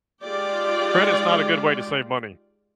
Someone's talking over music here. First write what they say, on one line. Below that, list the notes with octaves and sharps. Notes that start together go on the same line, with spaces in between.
Credit is not a good way to save money.
G#3 D#4 F4 G4 D5 G5